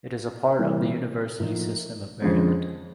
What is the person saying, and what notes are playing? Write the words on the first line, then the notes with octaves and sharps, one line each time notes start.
It is a part of the University System of Maryland.
C3 E3 G3 A#3
A2 F3 A#3 D#4
F2 D3 F3 G#3 C#4